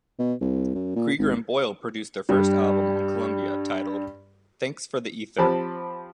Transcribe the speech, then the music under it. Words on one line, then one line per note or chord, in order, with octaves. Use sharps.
Creager and Boyle produced their first album on Columbia titled "Thanks for the Ether".
B2
C2
F#2
A#2
G#1
G2 G3
F3 C4 G4 A5 B5